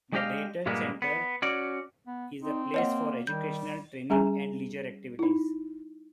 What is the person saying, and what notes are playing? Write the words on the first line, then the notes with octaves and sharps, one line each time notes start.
The Deighton Centre is a place for educational, training and leisure activities.
G#3 D4 G4 D#5 F5
G2 A#2 G3 G#3 A#3 B3
B3
C#4 F#4 D5
B3
C4 D#4
A#3 C#5 D#5 F#5
D#3 G3 G6
G3 C#4 G#4 E5 G#5 A#5
D#4 E4